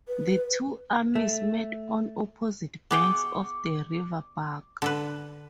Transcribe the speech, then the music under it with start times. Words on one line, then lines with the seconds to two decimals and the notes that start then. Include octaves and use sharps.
The two armies met on opposite banks of the River Bug.
0.08 B4
1.15 A3
2.91 B3 G#4 G5 C#6 D6
4.82 D3 A4 B4